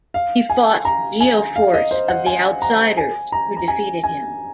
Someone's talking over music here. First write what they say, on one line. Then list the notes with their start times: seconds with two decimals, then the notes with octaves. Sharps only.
He fought Geo-Force of The Outsiders who defeated him.
0.14 F5
0.50 G#5
0.85 A#5
1.20 G#5
1.56 F5
1.74 D#5
1.91 C5
2.08 F#5
2.26 G#5
2.62 A#5
2.97 G#5
3.32 A#5
3.57 A#5
3.68 G#5
4.04 G#5